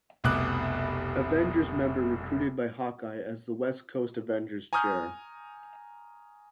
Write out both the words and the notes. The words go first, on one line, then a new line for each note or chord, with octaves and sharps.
Avengers members recruited by Hawkeye as the West Coast Avengers chair.
F1 C2 B2 D6 F#6
G#5 A#5 C#6 D#6 F6 G6